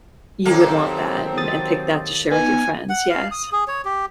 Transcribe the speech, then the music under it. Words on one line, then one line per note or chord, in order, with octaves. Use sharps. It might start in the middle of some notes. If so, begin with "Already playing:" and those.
you would want that and and pick that to share with your friends, yes.
D#2 F#3 A#3 C4 A4
D#6 A6
B3 D#4 G#5
F#5
F5
D#6
G#4
C#5
G4